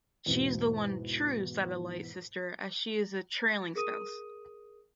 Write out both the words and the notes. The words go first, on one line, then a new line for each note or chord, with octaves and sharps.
She is the one "true" satellite sister as she is a "trailing spouse".
E2 G#2 B2
G#4 A#4 D#6 D#7